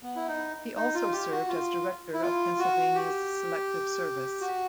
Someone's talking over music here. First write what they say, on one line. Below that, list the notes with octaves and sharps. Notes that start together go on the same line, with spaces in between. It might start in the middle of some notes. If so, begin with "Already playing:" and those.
He also served as director of Pennsylvania’s Selective Service.
B3
E4
D#4
D#4
F4
G4
F#4
F4
E4
F4
F#4
G4
F#4